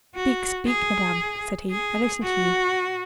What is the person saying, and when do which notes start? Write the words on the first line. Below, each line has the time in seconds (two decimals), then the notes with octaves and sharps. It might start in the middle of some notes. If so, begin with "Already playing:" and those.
"Speak! speak, madame!" said he, "I listen to you."
0.16 F#4
0.67 G#4
1.71 G#4
2.22 F#4